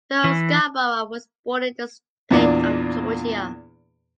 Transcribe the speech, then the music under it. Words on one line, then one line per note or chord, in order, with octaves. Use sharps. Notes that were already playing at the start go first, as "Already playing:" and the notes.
Joe Scarborough was born in the state of Georgia.
E3
E2 A#2 A#3 D4